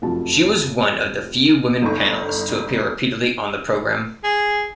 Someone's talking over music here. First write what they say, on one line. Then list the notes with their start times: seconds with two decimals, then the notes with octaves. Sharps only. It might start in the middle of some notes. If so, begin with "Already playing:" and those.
She was one of the few women panelists to appear repeatedly on the program.
0.02 F1 F#2 F3 F#3 A5
1.82 G1 D#4 A4 C#6
4.24 G#4